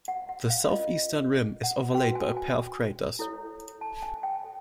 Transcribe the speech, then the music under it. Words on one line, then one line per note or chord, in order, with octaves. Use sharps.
The southeastern rim is overlaid by a pair of craters.
F#5
F#5
F5
C#4 F4 A#4 C#5 D#5
F#5
F#4 B4 G5
G#5
G#5
E4 A4 C#5
A5
G#5
G5
A4 C#5